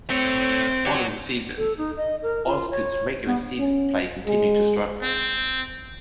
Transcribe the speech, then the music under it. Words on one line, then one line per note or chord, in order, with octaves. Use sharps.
The following season, Osgood's regular season play continued to struggle.
A3 C4 C#5
G4 C#5 F#5
A4
D#4
D#5
A#4
F4
C#5
B3
C#4
G#3
C4